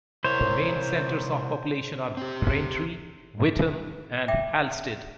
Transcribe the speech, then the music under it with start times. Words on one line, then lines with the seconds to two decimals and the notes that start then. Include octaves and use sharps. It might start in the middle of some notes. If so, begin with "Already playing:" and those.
The main centres of population are Braintree, Witham and Halstead.
0.24 C3 E4 A#4 C5 C#5
2.17 C4 G4
4.28 E5 G5 D6